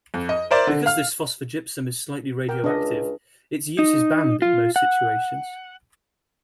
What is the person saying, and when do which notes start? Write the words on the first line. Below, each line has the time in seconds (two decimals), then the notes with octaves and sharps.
Because this phosphogypsum is slightly radioactive, its use is banned in most situations.
0.14 F2
0.29 D#5
0.51 A#4 C5 D5 E5
0.67 D3
0.86 F5 F6
2.49 A#4 F#5 G5
2.64 C#2 D4 D#5
3.79 D#4
4.42 F4
4.76 F#5